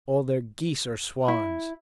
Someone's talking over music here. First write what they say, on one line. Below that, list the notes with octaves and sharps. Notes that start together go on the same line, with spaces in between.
All their geese are swans.
E4